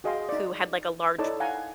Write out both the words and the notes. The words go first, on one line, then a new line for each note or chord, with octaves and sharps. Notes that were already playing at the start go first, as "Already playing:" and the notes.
who had, like, a large,
F#4 G#4 D#5 F5 G5 C6
D#4 D5
D#4 E4 A4 C#5 D5 A5
F5 F#5 G#5 A#5